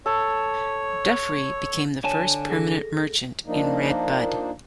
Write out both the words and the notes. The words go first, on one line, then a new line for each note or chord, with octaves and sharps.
Dufree became the first permanent merchant in Red Bud.
A4 C#5
D3 C#5 G#5 A5
G#4 A4 A#6
F3 A#3 D4 D#4